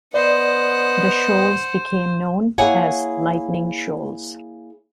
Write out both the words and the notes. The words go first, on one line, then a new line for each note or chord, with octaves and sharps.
The shoals became known as "Lightning Shoals".
B3 B4 C5 D5 D#5 F#5
A#3 E4 G#4 C#5 F#5 G#5